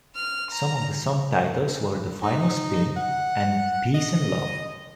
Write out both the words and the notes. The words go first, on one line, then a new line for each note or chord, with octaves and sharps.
Some of the song titles were "The Final Spin" and "Peace And Love".
F6
A#5
D#4
F#5
D#5